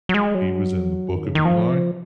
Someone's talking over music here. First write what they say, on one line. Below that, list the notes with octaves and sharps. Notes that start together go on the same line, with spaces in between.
he was in The Book of Eli.
F#3
G#3
F#3
D#3
C#3
D#3
F3